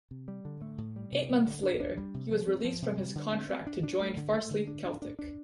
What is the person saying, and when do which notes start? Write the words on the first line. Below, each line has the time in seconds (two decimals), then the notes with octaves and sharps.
Eight months later, he was released from his contract to join Farsley Celtic.
0.11 C3
0.28 G3
0.45 D3
0.62 A3
0.78 A2
0.96 G3
1.12 C3
1.29 G3
1.46 D3
1.63 D4
1.80 D4
1.97 G3
2.14 C3
2.31 F3
2.47 C4
2.65 F3
2.82 C3
2.98 G3
3.15 D3
3.33 C4
3.49 C4
3.67 D4
3.83 D4
4.00 A3
4.17 D3
4.34 A3
4.50 D3
4.67 D4
4.85 D4
5.02 D4
5.19 D4